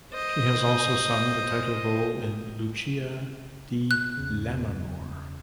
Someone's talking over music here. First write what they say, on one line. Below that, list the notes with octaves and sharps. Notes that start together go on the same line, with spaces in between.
She has also sung the title role in "Lucia di Lammermoor".
C5 D#5
F#6
E2 C#3